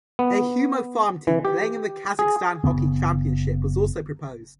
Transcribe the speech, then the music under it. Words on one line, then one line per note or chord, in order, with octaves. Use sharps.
A Humo farm team playing in the Kazakhstan Hockey Championship was also proposed.
B3
E3
G4
G#4
F#1 E2 C#3 B3